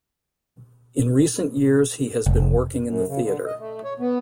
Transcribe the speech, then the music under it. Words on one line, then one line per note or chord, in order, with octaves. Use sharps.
In recent years, he has been working in the theater.
F1
F#2
C#3
D3
D#5
A3
C#5
B3